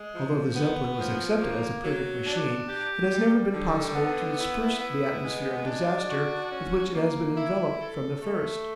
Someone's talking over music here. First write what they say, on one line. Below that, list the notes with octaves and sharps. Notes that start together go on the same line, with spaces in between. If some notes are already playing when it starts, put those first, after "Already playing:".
Although the Zeppelin was accepted as a perfect machine it has never been possible to disperse the atmosphere of disaster with which it has been enveloped from the first.
Already playing: G#3
F3
B3
F3
A#3
F#3
D4
G4
G3
D3
B3
E4
B3
G#3
D4
F#4
C#4
A#3
E4
A4
A3